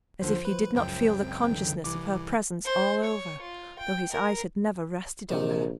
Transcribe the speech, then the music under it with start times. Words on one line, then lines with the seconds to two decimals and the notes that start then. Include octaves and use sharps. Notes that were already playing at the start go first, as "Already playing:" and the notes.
As if he did not feel the consciousness of her presence all over, though his eyes had never rested on her!
0.22 D#2 D3 F3 C5
0.45 B4
0.75 C#2 F#2 G5
1.23 C4
1.51 D3 E3
1.84 C2 E3 D6
2.65 C5
3.04 C#5
3.41 F4
3.79 G5
4.11 A#4
5.30 A#1 C3 D#3